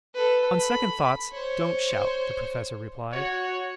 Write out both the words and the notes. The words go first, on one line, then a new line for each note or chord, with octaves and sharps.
"On second thoughts, don't shout," the Professor replied.
A4 B4
B5
C5 C#5
F#4 C#5